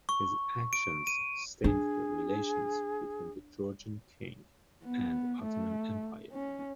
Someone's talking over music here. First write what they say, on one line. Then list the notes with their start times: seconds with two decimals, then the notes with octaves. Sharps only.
His actions stained the relations between the Georgian King and Ottoman Empire.
0.09 C#6
0.73 D7
1.07 D#7
1.64 D4 G#4
4.84 B3
5.42 A3
6.32 C#4